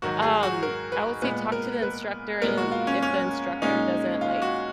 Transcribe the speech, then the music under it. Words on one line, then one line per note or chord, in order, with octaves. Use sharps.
um, I would say talk to the instructor, and then, if the instructor doesn't, like
G#2 D#3 F#3 F#4
G#4
F#4
A#4
B4
A#2 G#3 B3 B4
A#4
B4
A#2 G#3 B3 A#4
F#4
F4
C#4
C#4
A#2 G#3 C#4 D#4
F4
F#4